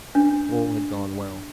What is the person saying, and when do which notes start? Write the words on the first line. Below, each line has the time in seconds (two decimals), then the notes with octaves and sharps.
All had gone well.
0.15 D4